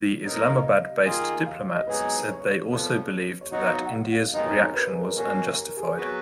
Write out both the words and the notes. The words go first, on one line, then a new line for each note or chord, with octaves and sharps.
The Islamabad-based diplomats said they also believed that India's reaction was unjustified.
F#3 B3 D#4 A#4
D#5
F5
D#5
D#3 A#3 F4 G#4
F5
F5
D#5
G#2 F#3 B3 D#4 G#4 B4
C#5
F2 F3 B3
C#5
F#3 B3 D#4 F#4 D#5
F#5
F5
F#5
F5
F5
F#2 D#3 G#3 B3 D#4 D#5
C#5
C#5
A#4
B4
G#4
A#4
B2 A#3 C#4 F#4
A#4
G#4
F#3 B3 F#4 G#4 B4